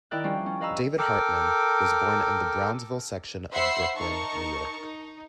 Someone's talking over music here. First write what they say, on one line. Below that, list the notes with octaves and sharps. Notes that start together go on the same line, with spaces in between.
David Hartman was born in the Brownsville section of Brooklyn, New York.
D#3 E4 D5 G5 A#5 F#6
F3 G3 C#4 D4 F4
C#4
B4 D#5 F5 A#5 B5 E6
A4 A#4 G5 D6
C5 E5 F#5 B5 E6 C7
D#4 A#4 A5 C#6
D#4